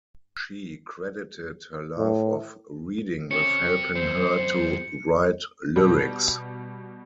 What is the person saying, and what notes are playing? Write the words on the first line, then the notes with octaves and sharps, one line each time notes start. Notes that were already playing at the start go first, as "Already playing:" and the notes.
She credited her love of reading with helping her to write lyrics.
A2
C4 C#4 G4 C#7
F#2 C4 C5
B2 G3